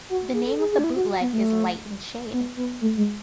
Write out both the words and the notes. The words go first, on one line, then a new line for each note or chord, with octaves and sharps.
The name of the bootleg is "Light and Shade".
F#4
G#4
A4
G#4
G#4
D4
E4
F#4
B3
A3
B3
B3
A3
G#3